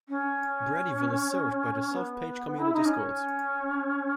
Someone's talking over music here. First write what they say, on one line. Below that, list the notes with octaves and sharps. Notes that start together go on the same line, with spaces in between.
Braddyville is served by the South Page Community Schools.
C#4
B3
E4
D#4
C#4